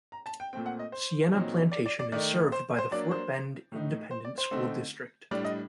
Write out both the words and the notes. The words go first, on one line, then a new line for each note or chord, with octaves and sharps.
Sienna Plantation is served by the Fort Bend Independent School District.
A#5
A5
G5
A#2 A3 C4 G5
F#5
D#5
C5
A#2 F#3 C4 D#4
D5
D5
D5
D#3 A3 D#4 D5
C5
C5
F#3 A#3 D4 D5
C5
A2 A3 D#4
C5
D5
C5
D3 A3 C4 D#4
A2 G3 D4 D5
D#5